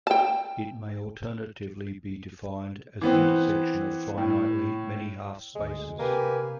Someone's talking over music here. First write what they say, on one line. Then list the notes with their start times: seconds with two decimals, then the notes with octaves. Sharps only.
It may alternatively be defined as the intersection of finitely many half-spaces.
0.07 G5 A5
3.01 E3 B3 C4
4.18 A2
5.55 D2 G#3
5.99 C3 A#3 G4 B4 G#5